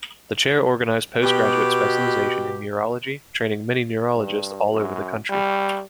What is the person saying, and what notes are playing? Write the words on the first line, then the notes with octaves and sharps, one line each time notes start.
The chair organized post-graduate specialization in neurology, training many neurologists all over the country.
B2 G4
G2
F#2
G3